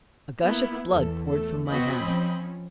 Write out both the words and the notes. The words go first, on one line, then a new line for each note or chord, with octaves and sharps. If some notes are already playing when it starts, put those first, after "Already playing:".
A gush of blood poured from my hand.
A#3 B3 E4
E2 A4
A3 A4
B3 C4 F#4 D#5 B5
F3 C#4